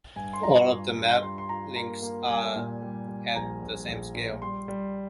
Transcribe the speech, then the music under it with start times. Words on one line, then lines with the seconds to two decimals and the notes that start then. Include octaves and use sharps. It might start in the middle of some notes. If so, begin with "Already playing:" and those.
All of the map links are at the same scale.
0.16 G2 G#5
0.33 C6
0.43 F4 A#5
0.70 G2
0.96 G2
1.23 G3 C6
1.38 C6
1.49 F4 A#5
1.76 A#3 A#5
2.02 A#3
2.29 G3 G#5
2.56 A#2
2.82 G3
3.08 G3
3.27 G#5
3.36 A#1 A#5
3.62 A#1
3.88 A#1
4.15 A#2
4.42 G3 C6
4.68 G3